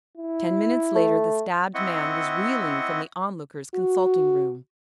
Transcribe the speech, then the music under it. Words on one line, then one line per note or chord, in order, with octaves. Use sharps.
Ten minutes later, the stabbed man was reeling from the Onlooker's consulting room.
E4
A3
C4 E4 D#5 F#5 C#6
F#4